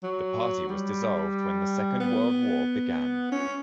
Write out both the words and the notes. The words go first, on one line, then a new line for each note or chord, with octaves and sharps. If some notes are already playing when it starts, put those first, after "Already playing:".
The party was dissolved when the Second World War began.
F#3
G3
B3
C#4